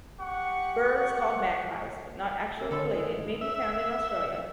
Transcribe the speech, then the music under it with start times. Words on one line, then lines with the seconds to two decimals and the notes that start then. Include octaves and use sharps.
Birds called magpies but not actually related may be found in Australia.
0.19 G4 F#5 C#6
2.59 B2 A3 A#3 G4 A#4 E6
2.71 D3 A4 D#5 B5 C6
2.89 A2 E3 G#3
3.41 E5